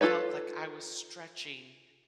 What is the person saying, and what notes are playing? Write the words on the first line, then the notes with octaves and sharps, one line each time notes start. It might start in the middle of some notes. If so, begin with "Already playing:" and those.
felt like I was stretching
F4 A4 B4 C#5